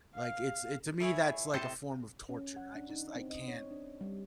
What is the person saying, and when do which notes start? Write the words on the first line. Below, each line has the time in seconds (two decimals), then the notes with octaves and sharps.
like, it's it to me, that's like a form of torture; I just I can't
0.15 F5
1.00 A3 E4 G#4 C#5
1.53 A2 C3 A4 C5 D#5 A5
2.29 C#4
2.56 F#5
2.75 D4
2.90 D#4
3.16 C4
3.30 D#5
3.48 C#5
3.71 D4
4.01 G3